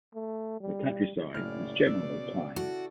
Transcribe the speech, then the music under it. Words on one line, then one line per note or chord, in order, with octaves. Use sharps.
The countryside is generally plain.
A3
G3
F#1 A2 C#3 E4 D5 F6
B2 E6
E4 F#4 A4